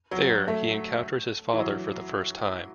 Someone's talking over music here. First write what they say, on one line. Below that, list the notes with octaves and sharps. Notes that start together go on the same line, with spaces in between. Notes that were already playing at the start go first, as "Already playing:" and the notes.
There, he encounters his father for the first time.
F#3
F#3
A3
E3
F#3